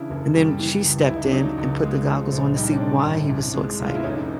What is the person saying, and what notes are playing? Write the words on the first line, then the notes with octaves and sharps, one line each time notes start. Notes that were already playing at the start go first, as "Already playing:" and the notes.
and then she stepped in and put the goggles on to see why he was so excited,
Already playing: C#3 E3 D4 E4
F#1
G3
E3
C#2
C#2 E4
D#4
D4
F#3 C#4 D#4
C#2
G#3
F3
A#1
G3 D#4
D4
C#4
D3 D4
G#1
C2
G#3
C2
F4
E4
F1 C#4 D#4